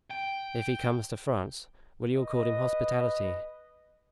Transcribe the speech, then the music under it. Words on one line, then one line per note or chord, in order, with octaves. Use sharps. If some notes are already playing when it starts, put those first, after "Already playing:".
If he comes to France will you accord him hospitality?
G5
B4 D#5